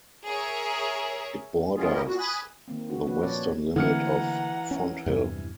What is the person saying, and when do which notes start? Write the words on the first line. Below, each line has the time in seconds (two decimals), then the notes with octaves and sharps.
It borders the western limit of Fonthill.
0.25 G#4 A#4 C#5 E5
1.77 C3 G#3 B3 C#4 F4 G#4
1.94 D2 A#2 E4 G4 A#4 D#5
2.07 A#2 F#4
2.19 G#5 B5 D#6 F#6
2.68 D#3 A#3 C4
2.88 C#4 F#4
3.06 F3 A#3 D4 F#4 B4
3.23 A#2 F3 C#4 C#5 D5
3.76 D3 E3 A3 A#3 F#5 A#5 F6 C#7
4.71 C#4
5.06 E2 G2 C3